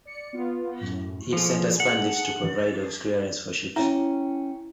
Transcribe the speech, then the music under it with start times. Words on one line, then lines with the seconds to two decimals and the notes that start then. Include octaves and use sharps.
Its center span "lifts" to provide of clearance for ships.
0.05 D5 C#7
0.33 B3 F4
0.81 F#2 A2
1.33 F3 G#4 A4
1.80 F#5
3.76 C#4 E4 E5 G5 A#5